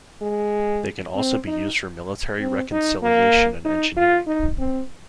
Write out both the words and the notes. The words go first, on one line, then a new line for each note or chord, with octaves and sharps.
They can also be used for military reconciliation and engineering.
G#3
C4
D#4
C4
D#4
A#3
D#4
F4
D#4
C4